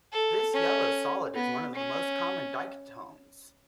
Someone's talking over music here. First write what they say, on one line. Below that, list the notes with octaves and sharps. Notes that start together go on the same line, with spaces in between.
This yellow solid is one of the most common diketones.
A4
C#4
B3
C#4